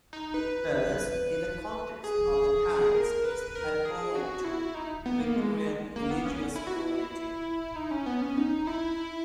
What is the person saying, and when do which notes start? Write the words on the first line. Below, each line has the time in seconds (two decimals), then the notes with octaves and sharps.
Thus, in the context of the times, it is abhorrent to Victorian religious morality.
0.13 D#4
0.34 B4
2.04 G#4
2.94 A#4
3.25 B4
3.55 A#4
3.85 G#4
4.15 F#4
4.44 E4
4.75 D#4
5.06 B3
5.20 A#3
5.36 G#3
5.96 A#3
6.10 B3
6.26 C#4
6.56 E4
6.67 F#4
6.76 E4
7.76 D#4
7.91 C#4
8.06 B3
8.22 C#4
8.37 D#4
8.67 E4